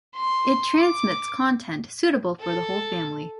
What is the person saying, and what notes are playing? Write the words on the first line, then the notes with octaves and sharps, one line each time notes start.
It transmits content suitable for the whole family.
C6
D6
A4